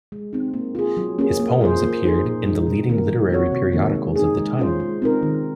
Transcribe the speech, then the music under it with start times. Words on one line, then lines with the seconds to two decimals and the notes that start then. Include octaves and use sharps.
His poems appeared in the leading literary periodicals of the time.
0.12 G#3
0.33 C4 D#4
0.54 A#3
0.75 F4 G#4
0.97 F#3
1.19 A#3 C#4 G#4
1.40 A#3
1.61 F4 G#4 C5
1.82 A#3
2.03 D#4 G#4 C5
2.25 A#2
2.46 G#3 D#4
2.67 C3
2.88 D#3 A#3 F4 A#4
3.10 F#3
3.31 C4 F#4 C#5
3.52 C3
3.73 D#3 A#3
3.95 G#3
4.16 D#4 G#4
4.38 G#3
4.59 C#4 F4 C5
4.80 G#3
5.02 C4 D#4 A#4
5.23 D#3